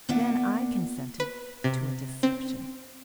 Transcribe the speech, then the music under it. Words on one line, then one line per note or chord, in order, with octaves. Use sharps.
Then I consented to a deception.
A#2 B3 D4 E5 F#5
B4
C3
C4